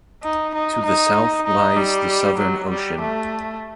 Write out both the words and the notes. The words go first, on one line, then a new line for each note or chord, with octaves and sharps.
To the south lies the Southern Ocean.
D#4
D#4
D#4
D#4
G3
F#3
G3
A3